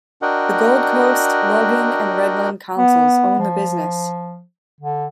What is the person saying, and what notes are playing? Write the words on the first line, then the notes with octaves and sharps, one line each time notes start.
The Gold Coast, Logan and Redland councils own the business.
D4 F#4 A#4 D#5 F#5 G5
B3
F3
D3